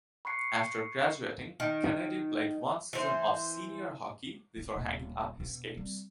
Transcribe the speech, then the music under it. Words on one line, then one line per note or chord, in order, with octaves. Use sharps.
After graduating Kennedy played one season of senior hockey before hanging up his skates.
B5 C#6 F#6 C7 C#7
D#3
E3 C5
C#2 D3
D#1
E1 B3
G3 C4